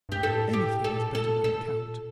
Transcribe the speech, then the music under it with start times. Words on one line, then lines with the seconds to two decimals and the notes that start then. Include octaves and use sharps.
Anything is better than the count.
0.09 G2 G4
0.23 A2 A4
0.53 G4
0.84 A#2 A4
1.15 A4
1.44 A#2 A4